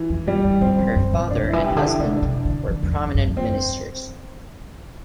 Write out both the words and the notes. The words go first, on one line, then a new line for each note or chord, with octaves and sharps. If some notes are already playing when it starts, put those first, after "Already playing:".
Her father and husband were prominent ministers.
Already playing: E3
E2
G2 G3
G2
G2 C4
E2
G2
A2
C3 D4
D3 E4
E3
G4
C3
D3
E4
C3 D4
C3
D3
E3
E2
G2
G2
E2
C4